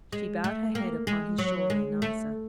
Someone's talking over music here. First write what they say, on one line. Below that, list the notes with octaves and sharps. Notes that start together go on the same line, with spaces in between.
She bowed her head upon his shoulder in answer.
G#3
A3
A#3
G#3
F#3
G#3
A3